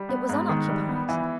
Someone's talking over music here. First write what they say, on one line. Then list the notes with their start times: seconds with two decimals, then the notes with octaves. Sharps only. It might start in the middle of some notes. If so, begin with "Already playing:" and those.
It was unoccupied.
Already playing: G3
0.09 B3
0.29 G#2
0.49 D#3
0.69 G3
0.88 B3
1.09 E3